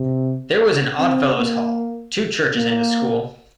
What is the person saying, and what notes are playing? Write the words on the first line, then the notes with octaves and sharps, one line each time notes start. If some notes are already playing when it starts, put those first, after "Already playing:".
There was an Oddfellows' Hall, two churches and a school.
Already playing: C3
C4
A#3
A#3